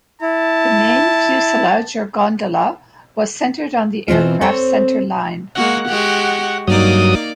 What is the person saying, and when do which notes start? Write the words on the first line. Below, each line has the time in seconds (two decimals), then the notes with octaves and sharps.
The main fuselage, or gondola, was centered on the aircraft's centerline.
0.22 E4 A5
4.08 B2 E3 C4 F4
4.41 C4 A4 C5 C#5
5.55 G#3 A#3 F#4 F#5
5.89 G#3 F#4 G4
6.68 G2 F#3 A#3 D#4 D5 D#6